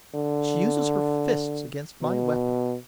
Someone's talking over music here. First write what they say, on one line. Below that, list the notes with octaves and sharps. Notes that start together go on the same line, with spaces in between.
She uses her fists against my weapon.
D3
B2